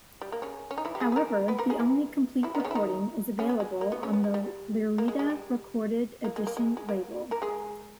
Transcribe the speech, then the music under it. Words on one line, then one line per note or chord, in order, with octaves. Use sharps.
However, the only complete recording is available on the Lyrita Recorded Edition label.
G3
A#3
C#3 C#4
C#4
D#4
E3 E4
G4
G#3 G#4
B4
A#3 A#4
B3 B4
A#3 A#4
G#3 G#4
E3 E4
E3 E4
D#3 D#4
B3
C#3 C#4
E4
D#3 D#4
C#3 C#4
B3
G#3
A#3
B3
C#3 C#4
B3
G#3
G3
A#3
G#3
G#3
G3
A#3
G#3
A#3
G#3
G#3
A#3
A#3 A#4
G#3 G#4